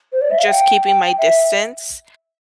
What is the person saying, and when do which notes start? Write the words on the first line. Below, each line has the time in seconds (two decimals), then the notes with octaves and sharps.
just keeping my distance.
0.12 C5
0.21 D5
0.31 E5
0.39 F5
0.48 G5
1.18 E5